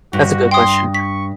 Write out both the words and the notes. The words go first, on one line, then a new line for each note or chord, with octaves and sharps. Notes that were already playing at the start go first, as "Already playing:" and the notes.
That's a good question.
G2 F#4
G5 C6 D#6
C#6 B6